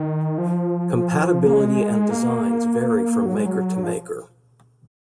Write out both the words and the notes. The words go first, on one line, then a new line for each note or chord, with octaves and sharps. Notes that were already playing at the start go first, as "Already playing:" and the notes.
Compatibility and designs vary from maker to maker.
Already playing: D#3
F3
F3
A#3
G#3
A#3
F#3
G#3
F#3
F3